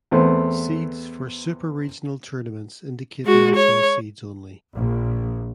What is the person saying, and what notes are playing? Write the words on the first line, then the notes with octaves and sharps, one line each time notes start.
Seeds for super regional tournaments indicate national seeds only.
E2 A3 B3 C4
G#3 F#4
C#5
A#1